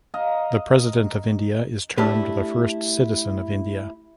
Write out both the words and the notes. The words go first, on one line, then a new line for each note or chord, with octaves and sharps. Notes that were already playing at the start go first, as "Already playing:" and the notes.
The President of India is termed the first Citizen of India.
D#5 F5 A#5
A3 D4 E4 G4 B4